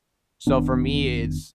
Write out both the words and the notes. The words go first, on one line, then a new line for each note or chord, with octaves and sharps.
So for me, it's
F1 D#3 B3 D4